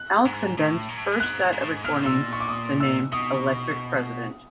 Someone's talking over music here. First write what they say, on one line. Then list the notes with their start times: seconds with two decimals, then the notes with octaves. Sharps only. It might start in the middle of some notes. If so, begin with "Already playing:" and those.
Alex and Ben's first set of recordings with the name "Electric President".
Already playing: F#6
0.25 G#2
0.57 A2
0.88 A#2
0.97 A2
1.04 G#2
1.12 A2
1.20 G#2 F#6
1.52 G#2
1.61 A2
1.68 G#2
1.84 A#2 F6
1.92 A2
2.00 A#2
2.06 E6
2.33 C#6
2.40 D6
2.49 D#6
2.80 E6
3.12 B2 D#6